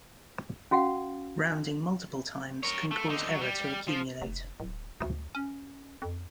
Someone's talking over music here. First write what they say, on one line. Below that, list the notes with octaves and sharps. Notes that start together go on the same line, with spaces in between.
Rounding multiple times can cause error to accumulate.
C#4 F#4 F5 F#5
A#4 C#5
A3
D3 D#4
F#3
G3
F3
F1
D1
D2
C#4
F2